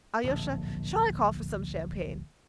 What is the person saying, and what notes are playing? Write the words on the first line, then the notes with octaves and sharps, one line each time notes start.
Alyosha, shall I call for some champagne?
D1 A#1